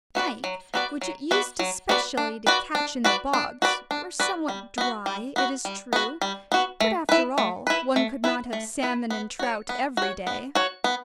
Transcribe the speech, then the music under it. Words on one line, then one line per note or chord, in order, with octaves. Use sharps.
Pike, which it used especially to catch in the bogs, were somewhat dry, it is true, but after all, one could not have salmon and trout every day!
B3 F#4 B4 D5
F#3
B3 F#4 B4 D5
F#3
B3 F#4 B4 D5
F#3
B3 F#4 B4 D5
D4
F#4 B4 D5
D4
F#4 B4 D5
D4
F#4 B4 D5
D4
F#4 B4 D5
G3
B3 F#4
G3
B3 F#4
G3
B3 F#4
G3
B3 F#4
A3
E4 B4
A3
E4 B4
A3
E4 B4
A3
E4 B4
B3
F#4 C#5
B3
F#4 C#5
B3
F#4 C#5
B3